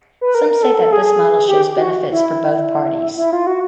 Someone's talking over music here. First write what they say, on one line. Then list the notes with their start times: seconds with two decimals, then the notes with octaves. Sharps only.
Some say that this model shows benefits for both parties.
0.21 B4
0.35 A#4
0.49 A#4
0.63 A4
0.77 A4
0.92 G#4
1.05 G#4
1.48 G4
1.77 F#4
2.12 E4
3.18 E4
3.33 F4
3.47 F#4